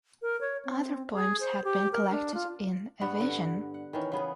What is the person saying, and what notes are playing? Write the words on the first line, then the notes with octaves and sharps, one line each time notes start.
Other poems had been collected in "A Vision".
A#4
C#5
C4
G#4
C5
G4
A#4
D4
F4
G2 B3 F#5
D3
F#5
D#3 E3 C#4
C#3 B3 G#4